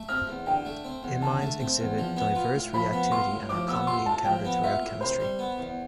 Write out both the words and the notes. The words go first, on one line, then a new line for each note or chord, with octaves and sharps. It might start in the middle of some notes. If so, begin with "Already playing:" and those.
Imines exhibit diverse reactivity and are commonly encountered throughout chemistry.
Already playing: A3
C4 F6
E2
D3 G5
A3
C4
E2
D3 A5
A3
C4
E2
F3
B3
F4
A2
F3 B5
B3
F4 C6
A2
F3 D6
B3 E6
F4 C6
A2 A5
F3 G5
B3
F4 E5
A2
C3 C5
G3
B3
E2